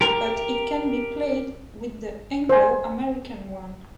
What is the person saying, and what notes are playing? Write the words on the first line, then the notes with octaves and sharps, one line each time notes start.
But, it can be played with the Anglo-American one.
G4 A#4
C5 G#5